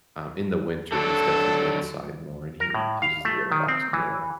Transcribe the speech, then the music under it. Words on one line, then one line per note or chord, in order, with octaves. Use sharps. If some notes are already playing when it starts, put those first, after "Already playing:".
Um, in the winter, he's definitely inside more, and he uses the litter box more,
D3 F#3 D4 A4
A#4
A2
F5
A3
D#3
C4
E3